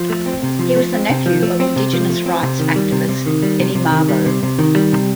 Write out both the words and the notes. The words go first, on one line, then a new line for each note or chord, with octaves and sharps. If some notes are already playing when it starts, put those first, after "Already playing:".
He was the nephew of indigenous rights activist Eddie Mabo.
Already playing: F3
A3
C4
C3
F3
A3
C4
C3
F3
A3
C4
C3
F3
A3
C4
C3
D#3
G3
C3
C3
D#3
G3
C3
C3
D#3
G3
C3
C3
D#3
G3
C3